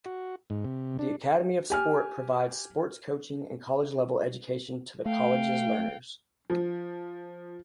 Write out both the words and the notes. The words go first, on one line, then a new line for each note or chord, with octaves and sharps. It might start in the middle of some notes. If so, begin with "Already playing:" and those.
The Academy of Sport provides sports coaching and college-level education to the college's learners.
F#4
G#2
C3
D4
G4 G#5 F6
A3 F5 G5
F3